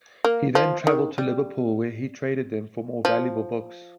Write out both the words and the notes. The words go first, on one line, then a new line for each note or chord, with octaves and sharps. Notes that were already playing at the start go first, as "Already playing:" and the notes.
He then traveled to Liverpool where he traded them for more valuable books.
A#3
F3
D#3
G3
F3